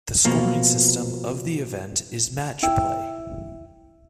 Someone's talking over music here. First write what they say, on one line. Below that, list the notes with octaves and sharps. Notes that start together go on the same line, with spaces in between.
The scoring system of the event is match play.
B2 F3 A#3
E4 G5